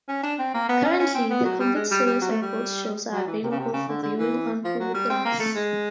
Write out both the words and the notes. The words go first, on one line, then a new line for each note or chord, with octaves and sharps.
Currently, the Complete Series of both shows are available for viewing on Hulu Plus.
C#4
D4
C4
A#3
B3
C#4
C#4
C4
B3
F#3
G3
G#3
G3
G3
F#3
A3
G3
F#3
E3
C3
C#3
C3
C#3
D3
D3
E3
F3
F#3
G3
C4
A#3
A3
G#3